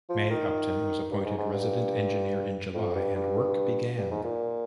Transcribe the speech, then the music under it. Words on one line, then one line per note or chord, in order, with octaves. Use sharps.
May Upton was appointed resident engineer in July, and work began.
F3
D#3
G2
G#2
G#2
G2
F2
G2
G2
G2
G#2
A#2